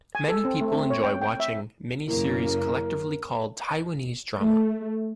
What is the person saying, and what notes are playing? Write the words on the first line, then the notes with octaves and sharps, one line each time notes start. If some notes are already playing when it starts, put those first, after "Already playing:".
Many people enjoy watching miniseries collectively called Taiwanese drama.
G#5
A4
C4
A3
C4
C#5
G5
G5
E5
F#2 C#3 A#3 E4 A#4
A3